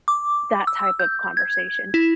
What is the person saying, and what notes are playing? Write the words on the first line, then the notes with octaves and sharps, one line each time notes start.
that type of conversation.
D6
E6
G6
G#6
E4